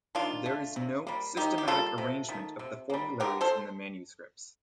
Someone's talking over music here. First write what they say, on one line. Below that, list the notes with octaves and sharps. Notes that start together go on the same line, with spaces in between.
There is no systematic arrangement of the formularies in the manuscripts.
D#3 D4 F4
A3
C3
G3 A#3
D#3 D#4 G4
G4
G3 A#3 F4 A4
C3
D#3 A3
C3
G3 A#3
D3 G4 A#4
A4 C5